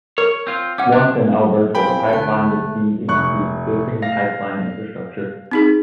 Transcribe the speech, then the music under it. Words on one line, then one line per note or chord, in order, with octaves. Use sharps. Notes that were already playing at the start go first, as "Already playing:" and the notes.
Once in Alberta, the pipeline would feed into the existing pipeline infrastructure.
A#4 C#5
C4 F4
C#4 F#5 D6
D4
C4 E4 F5 G5 G#5 B5
G#1 D2 A3 A5 F#6
F1 C#6 F#6
F5 A#6
C4 D#4 G#4